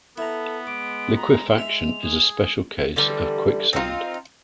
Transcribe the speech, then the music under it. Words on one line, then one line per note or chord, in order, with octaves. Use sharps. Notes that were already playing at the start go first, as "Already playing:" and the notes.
Liquefaction is a special case of quicksand.
B3 E4 A4 A#5
G#3 D6 D7
A#5
E5 F7
G#4
D3 E3 G3
C4 D#4 F4